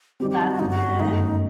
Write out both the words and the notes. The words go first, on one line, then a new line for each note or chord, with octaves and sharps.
That's good.
D#3 G3 C4 G4
G4
D#4
F#4
G1 F#2 F#3 D#4
F#4
G1 F#2 D#3 A3 D#4